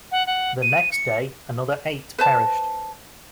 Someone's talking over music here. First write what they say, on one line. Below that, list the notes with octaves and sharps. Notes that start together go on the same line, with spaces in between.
The next day, another eight perished.
F#5
F#5
D#7
C#7
B4 C5 A5